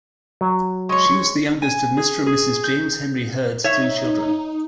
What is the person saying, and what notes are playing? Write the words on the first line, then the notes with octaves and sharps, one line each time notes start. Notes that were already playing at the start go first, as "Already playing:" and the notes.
She was the youngest of Mr and Mrs James Henry Hird's three children.
F#3
G#3 C#5 C#6
G#5
G#4
G#4
G6
D#4 C#5 E5